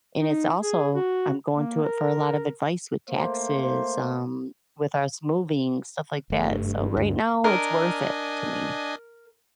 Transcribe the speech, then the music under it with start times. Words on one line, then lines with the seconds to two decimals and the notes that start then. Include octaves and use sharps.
and it's also I'm going to it for a lot of advice with taxes, um, with us moving, stuff like that, so right now, it's worth it to me.
0.21 D#4
0.61 G#4
0.95 F#4
1.56 A#3
1.84 A#4
3.10 A3 A#3 C5
6.30 F#1 A3
6.51 G2
6.97 D2
7.44 D4 A#4 D#5 G#5